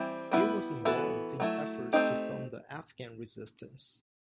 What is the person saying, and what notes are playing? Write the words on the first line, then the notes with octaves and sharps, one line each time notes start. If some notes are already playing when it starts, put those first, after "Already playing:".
He was involved in efforts to fund the Afghan resistance.
Already playing: E3 G3 C4 E4
G3 B3 E4 B4
E3 B3 F#4 A4
F#3 A3 E4
A3 C4 D#4 G4